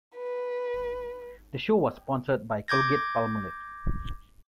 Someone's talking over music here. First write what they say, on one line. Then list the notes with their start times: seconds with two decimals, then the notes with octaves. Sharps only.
The show was sponsored by Colgate-Palmolive.
0.16 B4
2.68 D6 G6 G#6 A#6